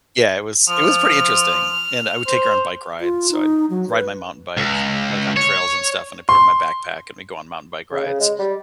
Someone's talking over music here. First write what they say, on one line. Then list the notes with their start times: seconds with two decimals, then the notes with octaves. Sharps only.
Yeah, it was it was pretty interesting, and I would take her on bike rides, so, I'd ride my mountain bike, like, on trails and stuff, and I'd put her in my backpack, and we'd go on mountain bike rides.
0.69 F3 F6
2.27 C5
3.01 F4
3.31 D#4
3.70 F#3
3.89 B4
4.57 C#2
5.37 C#5
6.29 C6
7.92 C#3
8.07 C#3
8.21 G#3
8.39 G3